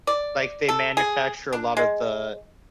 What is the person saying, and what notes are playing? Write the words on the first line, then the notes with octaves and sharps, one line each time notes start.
Like, they manufacture a lot of the
D5
A4
G#4
D4
G#3